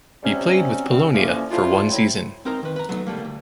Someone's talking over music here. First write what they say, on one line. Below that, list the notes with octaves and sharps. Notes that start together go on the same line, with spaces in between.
He played with Polonia for one season.
C3 F#3 G3 C4 C#4
C2 C4
D3 E3 F3 A#3 C#4
F3 A3 D4 E4 F4
A2 F#3 C4 E4
C4 D#4 A#4 C5 A#5
D#3 B4
B4 A#5
F#3 A3 B3 C4 D#4
C#3 G3 A3 A#3
D2